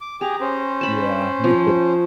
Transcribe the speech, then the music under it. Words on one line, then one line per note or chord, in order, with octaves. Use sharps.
Yeah, me too.
D6
G4 G#4 A#5
C#4 C5
A5 B5
F3